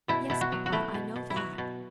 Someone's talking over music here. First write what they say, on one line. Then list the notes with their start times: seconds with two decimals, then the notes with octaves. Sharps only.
"Yes, papa, I know that."
0.08 B2 E4
0.30 B2 E4
0.41 F#4
0.52 F#3
0.66 F#4
0.72 A3 E4
0.94 B2
1.16 B2
1.30 E4
1.36 F#3 F#4
1.58 B2